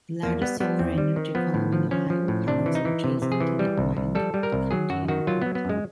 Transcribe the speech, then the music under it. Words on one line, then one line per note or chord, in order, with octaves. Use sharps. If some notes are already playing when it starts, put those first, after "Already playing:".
The largest solar energy farm in Ohio covers adjacent to the Wyandot County Airport.
E2 A#3
G3 B3
G3 B3
E2 C4
G3
D#3
F3 B3
A2
F3
F3 C#4
F3
A2
C3 D4
E3
D#4
E3
C3
C3
G#4
E3
G3
C2
C2
G3 A4
G3
A#4
C2
F#3 G#4
F#2 F#4
D#3 F#4
F#3 F4
F#3 B3
B3
F#2 G#3